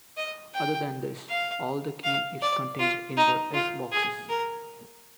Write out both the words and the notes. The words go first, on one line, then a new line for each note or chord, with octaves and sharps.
Other than this, all the key is contained in the S-boxes.
D#5
G5
F5
F5
D5
F4
D#4
F4
G#4
A#4